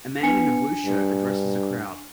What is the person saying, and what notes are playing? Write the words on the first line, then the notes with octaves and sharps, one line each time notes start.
A man in a blue shirt addresses a crowd.
B3 D4 G#5 C#7
G2